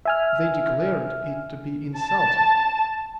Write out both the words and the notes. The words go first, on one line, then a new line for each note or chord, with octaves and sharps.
They declared it to be insulted.
E5 G#5 F6
A5